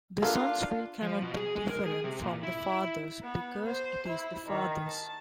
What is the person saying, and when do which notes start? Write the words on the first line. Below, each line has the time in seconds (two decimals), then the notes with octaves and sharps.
The Son's will cannot be different from the Father's because it is the Father's.
0.22 A#3 B3 D4 F4 A4 F5
1.02 F3
1.22 B2
1.36 G#4
1.55 G#3
1.70 A#4
1.86 G#4
2.04 C3
2.22 A#2
2.43 E4
3.23 B3
3.66 C5
4.09 E4
4.47 D#3
4.87 A5